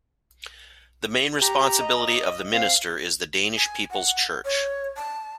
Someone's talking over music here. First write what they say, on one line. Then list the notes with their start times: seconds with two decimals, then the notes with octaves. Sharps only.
The main responsibility of the minister is the Danish People's Church.
1.41 G4 A#5
1.81 D#5
2.53 C4 F5
3.57 G#5
3.91 F#5
4.45 C#5
4.96 A5